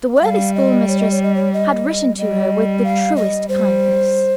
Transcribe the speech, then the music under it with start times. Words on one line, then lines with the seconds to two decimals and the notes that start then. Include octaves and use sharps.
The worthy schoolmistress had written to her with the truest kindness.
0.17 D#5
0.22 G3 F5
0.55 D#5
0.88 C#5
0.99 D#5
1.12 C#5
1.23 D#5
1.35 C#5
1.53 D#5
2.19 G3 D#5
2.84 F5
3.16 D#5
3.49 G3 C5